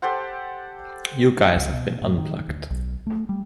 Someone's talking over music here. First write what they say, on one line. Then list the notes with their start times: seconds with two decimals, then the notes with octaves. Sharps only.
You guys have been unplugged!
0.02 G4 A4 C5 F#5
1.56 C#2
1.73 B2
2.02 A2
2.18 D#3
2.48 D2
2.70 B1
3.07 A3
3.29 G3